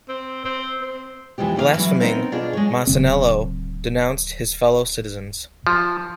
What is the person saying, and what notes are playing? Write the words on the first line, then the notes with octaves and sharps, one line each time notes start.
Blaspheming, Masaniello denounced his fellow-citizens.
C4
C4
C4
E2 E3 F3 G#3 G4
D#2 E3 D5 F5
E3 F#3 E4
B3 C4 D#4 A#4
B2 D4 F4 G#4
G#3 C#5
D1 C#3 C4
F3